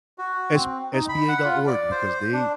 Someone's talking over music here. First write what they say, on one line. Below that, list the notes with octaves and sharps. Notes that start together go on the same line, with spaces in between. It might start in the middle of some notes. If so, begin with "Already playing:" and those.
s sba.org because they
F#4
C4
D#4
B5
F#5
F4
D5
C5
D4